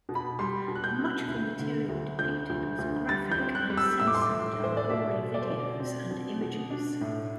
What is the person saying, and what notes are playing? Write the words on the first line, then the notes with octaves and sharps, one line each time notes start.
Much of the material depicted was graphic, uncensored, gory videos and images.
B2
B5
G3 C6
B2
F#6
G6
B2
F#6
D2
D3
D2
D2 G6
D2
D2
G3 A6
G6
C4
F#6
G3
E6
A2 E6
D6
C6
D6
A2
A2 C5
D5
B2 E5
A3
D5
C5
B2 D5
C4
B2
B2
D4
A2